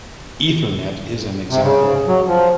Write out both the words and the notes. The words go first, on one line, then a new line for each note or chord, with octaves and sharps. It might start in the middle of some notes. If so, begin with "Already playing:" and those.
Ethernet is an example.
C3
C#3
F#3
F3